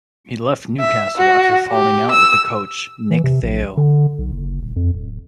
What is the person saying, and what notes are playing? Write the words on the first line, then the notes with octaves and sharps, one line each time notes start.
He left Newcastle after falling out with the coach Nick Theo.
E5
F#4
G4
E6
E3
C3
A#1
D3
B1
F#1
D#1
F2
D1